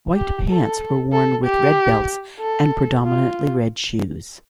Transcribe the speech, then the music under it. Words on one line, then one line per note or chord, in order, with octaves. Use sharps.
White pants were worn with red belts and predominately red shoes.
G4
A4
A4
G4
A4
F4